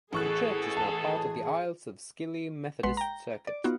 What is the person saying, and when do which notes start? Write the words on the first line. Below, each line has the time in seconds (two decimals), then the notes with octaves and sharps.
The church is now part of the Isles of Scilly Methodist Circuit.
0.13 A1 B2 G#4 A4 C#6 F#6
0.77 A5
2.83 A#1 G#3 B4 F#5 C6
2.97 G5 A#5
3.47 D5
3.64 B3 D#4 F4 F#4